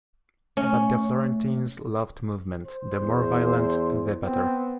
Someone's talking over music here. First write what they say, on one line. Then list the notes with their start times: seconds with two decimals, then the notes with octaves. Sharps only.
But the Florentines loved movement, the more violent the better.
0.57 A3 C#4
2.66 C5
3.02 E2
4.23 B3 C4